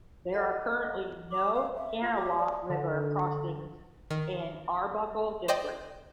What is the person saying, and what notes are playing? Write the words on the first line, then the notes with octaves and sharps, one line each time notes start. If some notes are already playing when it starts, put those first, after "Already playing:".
There are currently no Kanawha River crossings in Arbuckle District.
A4 D#5 F#5
D6
F5
E5
F4
G4
D5
D3
D#3
C5 D5 D#5 G5